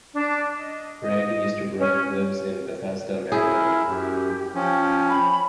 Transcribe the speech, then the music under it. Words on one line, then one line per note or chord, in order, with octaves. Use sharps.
Gregg Easterbrook lives in Bethesda, Maryland.
D4
D#5
D#5
C#4
E4 G#4
A#4
F#2 G4
F3 C#4 G5
B5